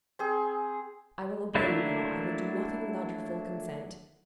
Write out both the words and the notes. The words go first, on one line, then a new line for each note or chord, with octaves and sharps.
I will obey you now; I will do nothing without your full consent.
C4 G#4
F#3 A3 A#3 D4 E4